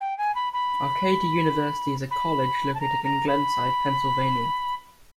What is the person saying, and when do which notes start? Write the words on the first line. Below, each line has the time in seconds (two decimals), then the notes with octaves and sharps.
Arcadia University is a college located in Glenside, Pennsylvania.
0.01 G5
0.18 G#5
0.35 B5
0.53 B5
2.11 B5
2.74 A5
2.81 A#5
3.04 A#5
3.27 B5